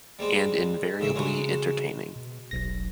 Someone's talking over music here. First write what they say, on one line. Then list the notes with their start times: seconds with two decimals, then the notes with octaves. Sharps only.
And invariably entertaining.
0.19 G3 G#3 C4
1.00 A1 C#3 E5
1.15 C#3 F#3 G#3
2.16 B2
2.51 E1 B1 A#6